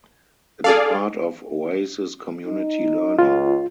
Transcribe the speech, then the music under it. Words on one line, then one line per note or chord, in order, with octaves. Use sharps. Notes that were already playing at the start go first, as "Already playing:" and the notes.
It is part of Oasis Community Learning.
G#4 A4 D5 F5
D#4
C#2 F4